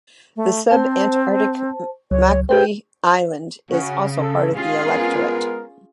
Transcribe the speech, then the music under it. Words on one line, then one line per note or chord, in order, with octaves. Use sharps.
The subantarctic Macquarie Island is also part of the electorate.
A3
C4 C5 A5
C#2 F#3 C#5
G4 B4 C5 G5
C#3 C#4 F#4
A4
G#3 C#4 F4 G4 G#4 F5
G#3 B3 A#4